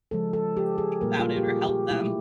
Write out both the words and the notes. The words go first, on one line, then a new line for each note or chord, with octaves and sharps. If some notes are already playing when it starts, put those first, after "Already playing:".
do something about it or help them.
C#3 F3 G#3 A4
A4
G4
G#4
A#2 G3 A#3 A#4
F4
F#4
G4
G#4
G4
B2 F#3 A3 E4